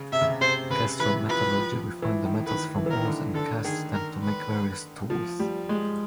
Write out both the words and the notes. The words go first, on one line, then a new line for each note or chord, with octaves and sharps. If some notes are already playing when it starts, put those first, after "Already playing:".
Castro metallurgy refined the metals from ores and cast them to make various tools.
Already playing: C#3
C3 E5
C#3
C3
C3 C5
C#3 B4
E3 B4
F3 B4
F3
E3
D#3
D#3 B4
E3
E3 A#4
D#3
D3
D3 A4
D#3 G#4
A#4
B4
F3
G3
G#3